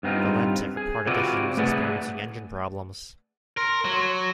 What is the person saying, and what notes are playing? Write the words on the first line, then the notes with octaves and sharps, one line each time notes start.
Valentich reported that he was experiencing engine problems.
G2 B3 C4 D#4 F4
G#4
C3 C4 F4 F#4 B4 D5
A3 G#4 B4 D5 F#5
A#4 C6
F#3